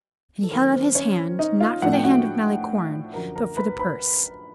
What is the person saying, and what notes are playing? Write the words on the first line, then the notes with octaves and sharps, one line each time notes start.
And he held out his hand, not for the hand of Malicorne, but for the purse.
A4
D#3 F#3 A#3 A#4
C4 C5
C#4 C#5
D#4 D#5
F4 F5
A2 F3 A3 D4 F#5
G5
F#4 F#5
F#2 D3 F3 A#4 A#5
A#4 A#5
B4 B5
B4 B5